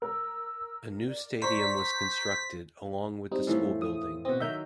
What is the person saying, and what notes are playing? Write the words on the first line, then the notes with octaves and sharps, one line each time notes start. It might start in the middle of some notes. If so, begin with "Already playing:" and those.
A new stadium was constructed along with the school building.
A#4 E6
D5
C5 A#5 C#6 B6
G6
G3 C4 D#4
A2 E3 F3
D#6
B2 C4 F#4 D#5
D#3 F#3 A#4 E5 G6